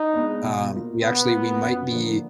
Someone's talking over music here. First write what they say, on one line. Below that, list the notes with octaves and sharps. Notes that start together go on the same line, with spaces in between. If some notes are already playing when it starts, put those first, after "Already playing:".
um, we actually we might be
Already playing: D#4
G#3 B3 D4
B2
A#3 F4
B2 B3
A#3 F4
F#2
D3 F3 A#3 D4